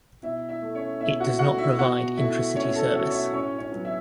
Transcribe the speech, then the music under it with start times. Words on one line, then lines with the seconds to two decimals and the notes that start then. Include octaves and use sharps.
It does not provide intracity service.
0.23 B2 E4 E5
0.49 E4 E5
0.62 A3
0.75 C#4 C#5
1.01 B2 E4 E5
1.20 F#4 F#5
1.39 A3 F#4 F#5
1.58 E4 E5
1.78 B2 F#4 F#5
2.17 A3 E4 E5
2.55 B2 C#4 C#5
2.75 A4
2.94 A3 F#4
3.06 C#5
3.13 E4 E5
3.33 A2 C#4 C#5
3.58 C#4 C#5
3.72 F#3 B3
3.85 E4 E5